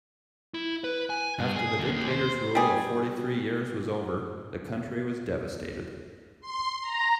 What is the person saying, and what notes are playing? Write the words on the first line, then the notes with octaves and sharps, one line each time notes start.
After the dictator's rule of fourty three years was over, the country was devastated.
E4
B4
G#5
G2
G#4
D#2
D#2
C5
G3 G#4
C6
A#5